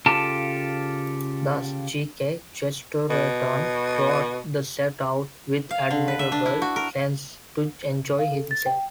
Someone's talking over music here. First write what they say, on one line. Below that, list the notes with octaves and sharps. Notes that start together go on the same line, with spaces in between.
Thus G. K. Chesterton wrote: The set out, with admirable sense, to enjoy himself.
C#3 F4 G4 A4 A5
B2
F5
D3
B4
E5
D4
E4
F#4
A#4
F5
A4
A6
G5